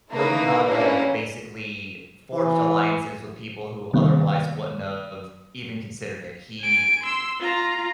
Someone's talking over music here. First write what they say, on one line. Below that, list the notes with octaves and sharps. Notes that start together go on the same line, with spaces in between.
Nobunaga basically forged alliances with people who otherwise wouldn't of even considered it. He,
A3 A#3 D#4 E4 A#4 B4
A#3 C#4 D4 E4 G4 B4
E3
C3 D#3 G3 A#3 B3
G#5 D7
C6 E6
F4 A#5